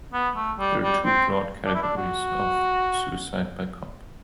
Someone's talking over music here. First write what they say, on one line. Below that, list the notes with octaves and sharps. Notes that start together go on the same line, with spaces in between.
There are two broad categories of "suicide by cop".
B3
A3
G3
G3
C4
D4
E4
D4
F#4